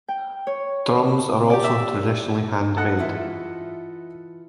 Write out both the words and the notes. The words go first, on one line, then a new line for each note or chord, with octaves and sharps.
Drums are also traditionally handmade.
G5
C#5
G4 D5
E5
A4 D#5 F#5
E3 F4 E5